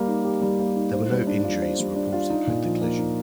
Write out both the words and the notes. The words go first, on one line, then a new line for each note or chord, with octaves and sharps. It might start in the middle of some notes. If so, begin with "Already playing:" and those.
There were no injuries reported with the collision.
Already playing: G3 A#3 G4
D#4
G4
G3
A#3
D#4
C5
G3
D4
F4
C5
G3
D4
F4
D#4
A#2
F3
A#3
D#4